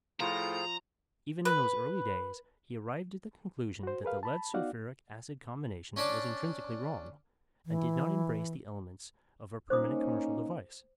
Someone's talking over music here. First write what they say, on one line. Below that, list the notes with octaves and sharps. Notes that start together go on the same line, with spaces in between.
Even in those early days he arrived at the conclusion that the lead-sulphuric-acid combination was intrinsically wrong, and did not embrace the elements of a permanent commercial device.
A2 F3 F4 G#4 C5 A#5
B4
F#4 C5
G#4 A#4 B4 F5
A5 B5
B3 D#4 F#4 D5 F5 F#5
C#4 D4 D5 A5
E3
A#3 C#4 D#4 C5 D6 D#6